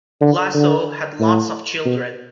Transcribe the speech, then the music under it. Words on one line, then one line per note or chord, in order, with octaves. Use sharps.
Iaso had lots of children.
D3
D3
A2
B2